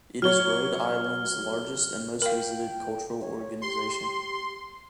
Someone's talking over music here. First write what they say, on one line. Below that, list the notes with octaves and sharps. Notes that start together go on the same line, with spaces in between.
It is Rhode Island's largest and most-visited cultural organization.
F#3 C#5 F6 G7
A#4 F5 G5
C#5
G4 C6